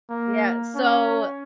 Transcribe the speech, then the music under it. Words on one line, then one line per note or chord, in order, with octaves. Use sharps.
Yeah, so
A#3
C#4